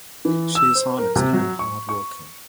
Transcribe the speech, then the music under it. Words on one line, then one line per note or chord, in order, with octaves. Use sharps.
She is honest and hardworking.
E3
E6
C5
A#4
C3
F#3
C#6
C#6